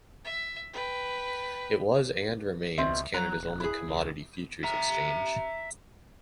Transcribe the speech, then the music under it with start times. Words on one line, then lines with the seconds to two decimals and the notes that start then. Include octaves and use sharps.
It was, and remains, Canada's only commodity futures exchange.
0.25 E5
0.73 B4 G5
2.78 C#2 B2 C4 E5
3.14 F#3 A#5 F#6
3.36 D#1
3.60 E4 G#4
3.88 C#2
4.64 E5 A#5